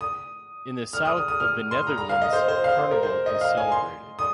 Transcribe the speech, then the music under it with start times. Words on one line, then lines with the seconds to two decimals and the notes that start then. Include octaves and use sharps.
In the south of the Netherlands carnival is celebrated.
0.01 D#6
0.93 F6
1.05 D#6
1.17 D#6
1.28 D#6
1.40 F6
1.71 C6
1.87 A#5
1.98 A#5
2.09 F5
2.22 D#5
2.33 C5
2.48 C5
2.64 F5
2.79 C5
2.91 A#4
3.03 C5
3.26 D#5
3.41 F5
3.57 G#5
3.72 C6
4.19 D#6